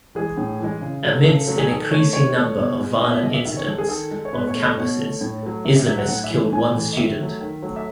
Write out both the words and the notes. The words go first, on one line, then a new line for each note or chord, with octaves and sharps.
Amidst an increasing number of violent incidents on campuses, Islamists killed one student.
E3 G#3 G#4
A2
E3 G#3
C#3
F#3 A3
C#3 A4
F#3 A3
G#4
D#3 A4
A3 C#5
D#3 C#5
A3
B2
G#3
B2 D#5
E5
G#3 D#5
E5
D#3 E5
C#5
G#3 A4
G#4
D#3 A4
G#3
C#5
B2 B4
C#5
A3
D#5
B2 C#5
A3
A2
F#3 A3
A2 E5
E5
F#3 A3 E5
F#5
A2 F#5
E5
E3 A3
A2 G#5
E3 A3
D#5
D#3 E5
F#3 A3
D#3
F#3 A3
E5